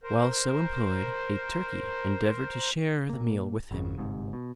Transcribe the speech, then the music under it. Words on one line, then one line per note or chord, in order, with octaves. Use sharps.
While so employed, a turkey endeavoured to share the meal with him.
A#4 C5
A#2 A#3
G#1 C#3
G1 G#2 C3
B2